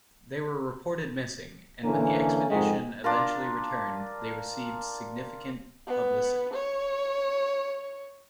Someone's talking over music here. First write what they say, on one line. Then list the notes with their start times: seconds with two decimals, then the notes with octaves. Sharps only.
They were reported missing and when the expedition eventually returned they received significant publicity.
1.84 D3 E3 A#3 C#4
2.50 F2 G#2 D#3 G#3
3.04 D4 F4 A#4
5.87 B3
6.53 C#5